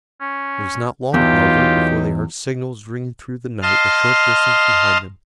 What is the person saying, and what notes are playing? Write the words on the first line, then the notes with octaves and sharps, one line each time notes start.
It was not long, however, before they heard signals ringing through the night a short distance behind them.
C#4
E2 E3 F#3 D#4 F4 G4
D#5 F5 A5 C6 F6